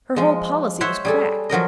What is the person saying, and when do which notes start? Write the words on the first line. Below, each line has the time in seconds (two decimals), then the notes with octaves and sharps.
Her whole policy was cracked.
0.16 F3 G#3
0.81 C5 C#5 E5 F#5 C6
1.05 G3 G#4 A4
1.49 F3 F#3 A#4 D#5